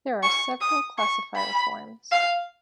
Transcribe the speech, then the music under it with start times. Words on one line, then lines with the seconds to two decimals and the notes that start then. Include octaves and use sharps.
There are several classifier forms.
0.23 C#6
0.61 D#6
0.98 C#6
1.36 B5
2.12 F5